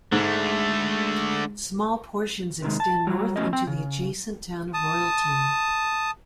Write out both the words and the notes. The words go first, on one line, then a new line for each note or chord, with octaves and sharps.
Small portions extend north into the adjacent Town of Royalton.
G#2 D3 G#3 A3
C3 D#3 G#3
A5
F#3 G3 F#4
E2 A2 G#3 C#4 F#4 D#5
C4 G5
C#3
A5 D#6